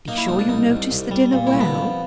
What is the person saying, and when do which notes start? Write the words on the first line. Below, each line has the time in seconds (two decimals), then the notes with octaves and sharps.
Be sure you notice the dinner well.
0.08 A#3 D#4
0.18 E4
0.28 C2 D#4
0.39 D4
0.49 C2 D#4
0.70 C2
0.91 C2
1.11 G3
1.33 A#2
1.47 E4
1.53 C2
1.60 B3
1.74 F2